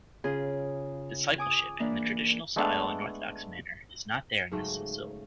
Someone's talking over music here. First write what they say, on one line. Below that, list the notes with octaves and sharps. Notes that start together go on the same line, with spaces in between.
Discipleship of the traditional style and orthodox manner is not there in this silsila.
C#3 F4 G#4
G#5 D6 D#6
E3 A#3 D4
G#3 A3 B3 D4 A4
G#2 C#3 F#3 A3